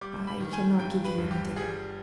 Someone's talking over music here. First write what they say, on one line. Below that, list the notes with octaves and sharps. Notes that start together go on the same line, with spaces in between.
"I cannot give you any dinner."
G3 D6
B5
D#3
G#5
G2 G5
B4
G1
G4
G3 G#4